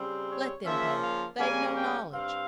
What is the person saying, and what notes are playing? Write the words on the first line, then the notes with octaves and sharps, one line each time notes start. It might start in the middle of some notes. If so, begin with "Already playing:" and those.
Let them pay--they've no knowledge.'
Already playing: C#3 G3 C4
C#5
C#3 F3 A#3 C#4 E5
F5
C#3 G3 A#3 C#4 G#5
G5
G2 G3 C4 F5